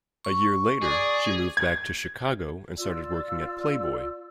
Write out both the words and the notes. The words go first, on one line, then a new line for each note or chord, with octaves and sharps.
A year later, she moved back to Chicago and started working at "Playboy".
C#6
G#4 D5
G#6
F4 D5 E6